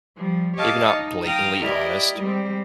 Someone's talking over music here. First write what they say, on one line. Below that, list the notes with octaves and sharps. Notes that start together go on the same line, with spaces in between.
maybe not blatantly honest.
F3 G3
G4 C#5 D#5 F5 A5 D6
D#4
F5 G5 A#5 D#6 F6
E4 G4 A#4 D5 D#5
G3 G#3 C4